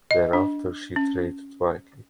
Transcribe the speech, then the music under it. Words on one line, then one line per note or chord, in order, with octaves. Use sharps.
Thereafter she traded widely.
D#5
D4
C#4